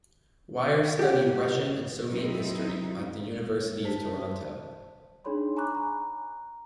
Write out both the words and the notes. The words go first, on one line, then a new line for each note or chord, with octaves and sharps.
Weir studied Russian and Soviet history at the University of Toronto.
G4 F#5
F#3 C4 D#4 E4
C5 A5 B6
D4 D#4 G#4 C#5 B5 C6
G#5 A#5 B5 C#6 D6 F#6
A#5